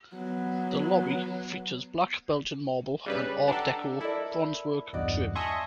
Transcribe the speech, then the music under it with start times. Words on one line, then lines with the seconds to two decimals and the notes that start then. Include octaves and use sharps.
The lobby features black Belgian Marble and Art Deco bronzework trim.
0.14 F#3 B3
3.06 C#3 G3 D4 B4
3.48 D4 G4 A4 F#5 A#5
4.01 E4 A4 A#4 D5
4.93 B1 E2 G2 D#4 F#4 D5
5.36 D#5 E5 G#5 A5 C6 C#6